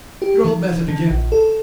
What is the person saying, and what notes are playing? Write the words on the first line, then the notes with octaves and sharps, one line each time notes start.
Your old method again.
G4
D#3
D3
A#1
A4